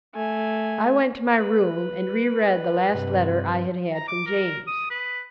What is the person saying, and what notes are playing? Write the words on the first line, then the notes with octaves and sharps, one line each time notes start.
I went to my room and re-read the last letter I had had from James.
A3 G#5
B4
G2 C3
A#5
D6
A#4
D#6
B4